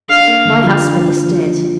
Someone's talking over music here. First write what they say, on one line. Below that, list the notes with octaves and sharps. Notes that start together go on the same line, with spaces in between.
'My husband is dead.
D4 F5
A#3
D3
F3
D4